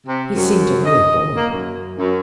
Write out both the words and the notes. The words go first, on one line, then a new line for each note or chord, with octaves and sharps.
He seemed a mere boy.
C3
F#2
D#5
A#3
F#2
F#2